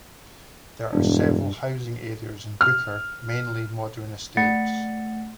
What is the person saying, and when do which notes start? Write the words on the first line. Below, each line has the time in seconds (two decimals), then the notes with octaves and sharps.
There are several housing areas in Booker, mainly modern estates.
0.93 E1 G2 D4
2.61 F6
4.37 A3 F#5 A6 C#7